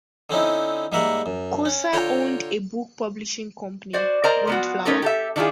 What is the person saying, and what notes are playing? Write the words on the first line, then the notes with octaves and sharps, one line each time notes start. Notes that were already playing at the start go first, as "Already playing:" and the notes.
Kooser owned a book publishing company, Windflower.
D3 C4 C#4 D#4 E4
G#2 G3 A#3 A#4 E5 F#5
F#2
C#4
D3 F4 C#5 G5 A#5
F#4 C5 D5
A#4 C5 D5 D#5 A#5
F3 B3 F#4
A3 C#4 D#4 A4 A#4
G4 A4 E5
D#3 D4 E4 F4 G#4